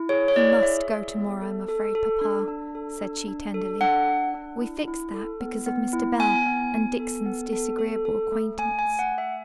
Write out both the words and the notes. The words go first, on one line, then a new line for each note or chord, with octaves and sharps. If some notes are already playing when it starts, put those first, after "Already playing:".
'He must go to-morrow, I'm afraid, papa,' said she, tenderly; 'we fixed that, because of Mr. Bell, and Dixon's disagreeable acquaintance.'
Already playing: E4
G#4 C#5
C#5
E4 D5
G#4 E5
G#4
B3
A4
A4
A4
D4
D4
A4
D4
D4
A4
D4 F#5
D4
D4
E4
E4
A4
B3
B3
E4
B3 G#5
B3
B3
A4
B3
A4
A4
A4
A3
A3 G#5
G#5
A3
F#5
A3
E5